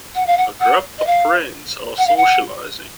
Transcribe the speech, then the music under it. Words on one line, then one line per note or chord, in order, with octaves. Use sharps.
A group of friends are socializing.
F#5
F5
F#5
F#5
D#5
F5
F#5
F5
F#5